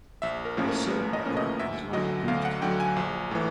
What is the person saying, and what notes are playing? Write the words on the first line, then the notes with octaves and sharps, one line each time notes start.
A soap opera is like boot camp.
A#1 E5
A#4
A2 F3 A#3 C#4
A#4
A#1 B4
D#5
A2 F3 A#3 C#4
D#5
D2 E5
D3 F#3 D#5
D2 F5
F#5
D3 F#3 G5
G#5
A#1
A2 E3